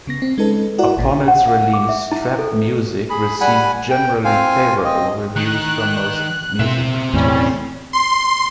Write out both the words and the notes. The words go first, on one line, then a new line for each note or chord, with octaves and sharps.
Upon its release, "Trap Muzik" received generally favorable reviews from most music critics.
C#3 B3 A#6
C4
G#3 C#4 D#4 A4 B4
E4 F#4 A#4 D5 F#5
A1 A#2
F#5
F5
D6
E5
E4
A4
G#4 B5
G3 F#5 G#5 B5
G5
C4 F4 F5 G#5
C4 D#5
D#3 D#4 F#6
B2 A#3 C4 E5
E2 A2 G3 C#4
C6